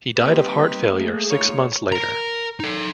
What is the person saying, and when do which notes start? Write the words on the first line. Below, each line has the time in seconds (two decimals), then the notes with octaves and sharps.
He died of heart failure six months later.
0.17 G3 A#3 C4 D#4 G4 B4
0.91 A3 A#3 G#4
1.30 D#4 F4 C#5
1.92 A#4 A#5
2.60 D#4 A4